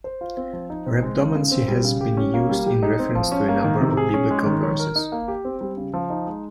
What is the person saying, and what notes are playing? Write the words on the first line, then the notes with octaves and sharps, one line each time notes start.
Rhabdomancy has been used in reference to a number of Biblical verses.
C5
F4
C4
F3
D#4
C4
G#3
C#3
C#3
C4
G3
C#3
G4
C#4
A#3
G3
G4
D#4
C4
F3
C#4
A#3
D#3
C3
G#4
C#4
G#3
D#3
C#5
A#4
D#4
A#3
G4
C4
G3
C#3
F3
D#4
G#3